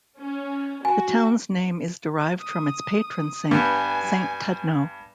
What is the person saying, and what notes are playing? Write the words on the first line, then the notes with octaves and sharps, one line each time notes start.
The town's name is derived from its patron saint, Saint Tudno.
C#4
F#4 G#5
D#6
G2 B3 G#5